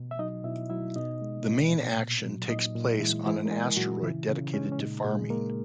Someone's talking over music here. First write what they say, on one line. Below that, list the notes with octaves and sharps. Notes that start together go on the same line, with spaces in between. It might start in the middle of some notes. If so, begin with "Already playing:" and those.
The main action takes place on an asteroid dedicated to farming.
Already playing: B2
E5
F#3 D#4 D#5
B2 E4 E5
F#3 E4 E5
B2 D#4 D#5
G#3
B2
A#2
A#2
F#3
A#2 D#4 D#5
A#2
E3 G#3 E4
E3 G#3 E4
A#4
G#3 G#4
A#2 F#3 F#4
C#3 E3 E4
C#3 C#4
G#3 C#4
C#4
A#2 D#4
A#2 G#3 G#4
G#3 A#3 A#4